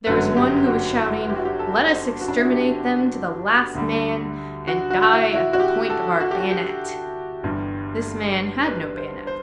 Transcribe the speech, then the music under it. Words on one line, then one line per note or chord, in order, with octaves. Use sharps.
There was one who was shouting: "Let us exterminate them to the last man and die at the point of our bayonet." This man had no bayonet.
G1 F#2 D3 F#3 B4
G4
F#4
E4
G4
F#4
G4
A4
C5
F#4
D4
E4
F#4
G4
D2 D3 G3
F#4
F#4
F#4
E4
E4
F#4
F#4
G4
A4
F#4
G4
F#4
G4
G1 G2 E3 G3
B4
C5
C5